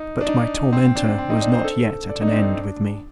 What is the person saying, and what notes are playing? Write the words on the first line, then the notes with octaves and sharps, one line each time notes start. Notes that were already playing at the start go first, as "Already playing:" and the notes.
But my tormentor was not yet at an end with me.
Already playing: D#4
D4
D#4
C4
C4
D4
C4
D#4
D4
C5
A4
D5
D#4
D4
C4
D4